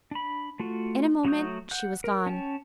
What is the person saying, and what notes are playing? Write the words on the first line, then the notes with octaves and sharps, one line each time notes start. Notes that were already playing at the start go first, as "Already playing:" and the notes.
In a moment she was gone.
D4 B5
A3 F4 F#4
F#3 A3 F#4 D#6 G6
F#5 F#6 G6
A#4
C#4 C#5 G5 A5